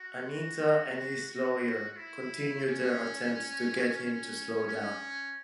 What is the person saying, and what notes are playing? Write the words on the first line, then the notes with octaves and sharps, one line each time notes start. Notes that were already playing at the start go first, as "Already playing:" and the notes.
Anita and his lawyer continue their attempts to get him to slow down.
Already playing: F#4
F#4
F#4
E4
C#4
C#4
C#4